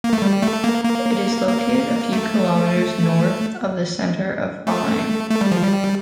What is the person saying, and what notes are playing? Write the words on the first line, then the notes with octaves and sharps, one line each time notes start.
It is located a few kilometres north of the centre of Rollag.
A#3
A3
G3
A3
A#3
A#3
A#3
A3
A3
A3
G3
F3
G3